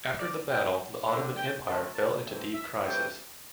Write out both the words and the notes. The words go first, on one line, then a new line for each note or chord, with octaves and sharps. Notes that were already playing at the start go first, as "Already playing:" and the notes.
After the battle, the Ottoman Empire fell into deep crisis.
D5
G2 G3 C4 G5
D3 C4
G5
D3 A3 C4 A5
A5
A2 E3 A3 C4
E5
G2 E3 A3 C4 G5